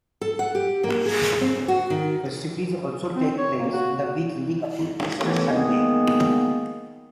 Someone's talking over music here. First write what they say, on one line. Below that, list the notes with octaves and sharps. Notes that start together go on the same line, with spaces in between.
Festivities also take place in the week leading up to Easter Sunday.
A4
F#5
G4
A#3
G#4
C4
D2
F#4
D#3
C4
C#5
A#3
F#4
D#2 A2 E3 A3 B3
D#3 G#3 A#3 B3